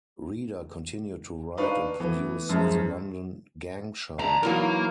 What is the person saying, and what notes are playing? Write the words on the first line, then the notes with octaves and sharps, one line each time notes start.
Reader continued to write and produce the London Gang Show.
D4 D#4 B4 F5 C#6
E3 A3 B3
F#2 F3 G#3
D4 A#5 B5
E3 F#3 D#4 A#4 F5